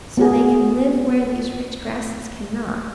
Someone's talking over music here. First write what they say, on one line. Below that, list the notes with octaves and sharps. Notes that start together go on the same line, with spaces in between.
So they can live where these rich grasses cannot.
B3 F#4 G#4